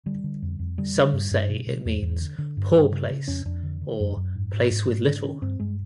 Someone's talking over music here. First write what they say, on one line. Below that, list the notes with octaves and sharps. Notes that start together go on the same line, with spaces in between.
Some say it means "poor place" or "place with little".
D3 G3
D3
F2
F2
D3 G3
D3
G2
G2
B2
B2
E2
E2
D3
D3
G2
G2
C#3
C#3
F2 C#4
F2 D4
D3
D3
F#2
F#2
G#2
G#2
G#2
G#2
D3 D4
D3 C#4
G2 C4
G2 G#3